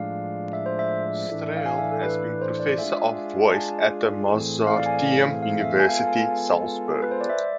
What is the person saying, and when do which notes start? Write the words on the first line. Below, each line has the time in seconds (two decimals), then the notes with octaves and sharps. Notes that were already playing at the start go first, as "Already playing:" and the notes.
Strehl has been professor of voice at the Mozarteum University Salzburg.
Already playing: A2 F3 G#3 D4 F5
0.53 E5
0.66 C5
0.79 E5
1.28 A2 E3 A3 D4
1.57 F5
1.66 G#5
1.78 E5
1.92 A4
2.03 B4
2.42 C5
2.60 D5
2.78 G#3 D4 F4 G#4 E5
3.48 A5
3.53 G#5
4.30 A2 E3 A3 C4 G#4
4.67 F5
4.77 D5
4.86 G#5
4.95 F5
5.42 F5
5.61 E5
5.79 G#3 B3 F4 A4 G#5
5.89 F5
5.99 F5
6.07 G#5
6.17 G#5
7.02 B4
7.11 C5
7.21 D5
7.29 E5